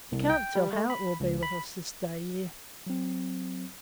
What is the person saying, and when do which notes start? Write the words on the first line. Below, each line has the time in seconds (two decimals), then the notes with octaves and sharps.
We can't tell how it will be with us this day year.'
0.12 C2
0.30 G5
0.55 G3
0.73 A3
0.90 B5
1.20 C#2
1.43 B5
2.87 F#3 C4